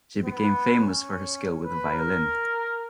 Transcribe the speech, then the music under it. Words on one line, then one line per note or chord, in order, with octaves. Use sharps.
She became famous for her skill with a violin.
B3
C#4
B4
A#4